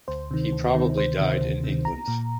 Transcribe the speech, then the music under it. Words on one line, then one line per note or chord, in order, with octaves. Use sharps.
He probably died in England.
D2 C5
C3 D#3
D2
D#3
C3
D2 C5
C3 D#3
D2
C3 D#3
C2 A#5
A#2